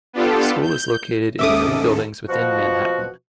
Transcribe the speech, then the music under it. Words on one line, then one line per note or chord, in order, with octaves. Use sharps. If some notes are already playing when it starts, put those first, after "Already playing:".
The school is located in three buildings within Manhattan.
B3 D4 F4 G4 A4
G6
D#2 G#2 C#4 A4 E5 D6 D#6
B2 F3 F#4